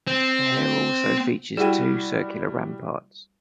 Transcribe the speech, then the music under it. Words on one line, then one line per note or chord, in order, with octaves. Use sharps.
The hill also features two circular ramparts.
C4
G3 E4 F#4 G#4 G5